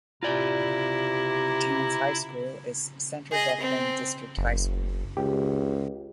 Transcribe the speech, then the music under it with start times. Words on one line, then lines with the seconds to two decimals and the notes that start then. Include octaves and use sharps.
The town's high school is Centre Dufferin District High School.
0.23 C3 E4 F4 D5 A#5
3.32 G#4 D#5
3.60 C4
4.37 F#1
5.17 C#2 G4